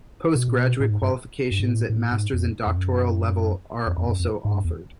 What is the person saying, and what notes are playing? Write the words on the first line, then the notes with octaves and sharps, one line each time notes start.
Post-graduate qualifications at masters and doctoral level are also offered.
B2
A#2
B2
A2
G#2
G2
G2
G#2
A2
A2
G#2
F2
F2
F#2
F2
F2
F#2
F2
G#2
G2
E2